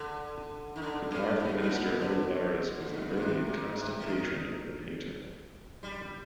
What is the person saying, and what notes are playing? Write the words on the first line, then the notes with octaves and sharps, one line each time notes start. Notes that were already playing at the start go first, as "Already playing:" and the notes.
The powerful minister Olivares was the early and constant patron of the painter.
Already playing: D3
D#3
D3
G2
G#2
G#2
A#2
D3
G2
G#2
A#2
C3
A#2
C3
F3
D#3
G3